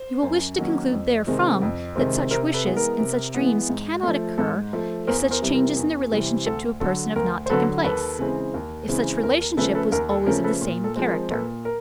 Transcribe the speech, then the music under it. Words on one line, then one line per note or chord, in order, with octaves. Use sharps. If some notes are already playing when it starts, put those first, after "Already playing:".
You will wish to conclude therefrom that such wishes and such dreams cannot occur if such changes in the relationship to a person have not taken place; if such relationship was always of the same character.
Already playing: C5
F#2
D#3 F#3 A#3 C#4
F2
C3 D#3 G#3 C4
F2
C3 D#3 G#3 C4
C3 A#4 C5
A4 B4
E3 G#3 B3
A#4
C3
E3 G#3 B3
G#2
F3 A3
G#2 A4
F3 A3
E2 A#4 C5
A#4 C5
C3 E3 G3 C4
A#4
E2
C3 E3 G3 C4
D2 A4
D3 F#3 A4
D2 A#4
C5
D3 F#3 A4 B4
D#2 A4 B4
C#3 E3 G#3 C4
D#2
C#3 E3 G#3 C4
D#2 A#4
A#4
C#3 F3 A3 C#4 A4 B4
A4 B4
D#2 A#4
A4
C#3 F3 A3 C#4 A#4
A4 B4
A#2
A4
F3 G#3 C4
A#4
A#2 A4 B4
A#4